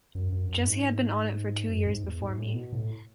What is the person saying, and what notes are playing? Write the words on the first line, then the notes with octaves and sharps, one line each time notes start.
Jesse had been on it for two years before me.
F#2
F#2
F#2
G#2
F#2
G#2
E2
G#2
A2
B2
A2